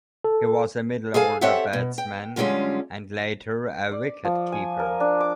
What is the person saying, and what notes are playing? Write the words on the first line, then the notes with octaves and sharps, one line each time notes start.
He was a middle-order batsman, and later a wicket-keeper.
A4
G#4 A4 F5 G#5
C4 G4 A4 C#5 E5 F#5
B2
G5
F#2 D3 G3 G#3 C#4 F4
D5
F3
G#5
A#4
D4
D6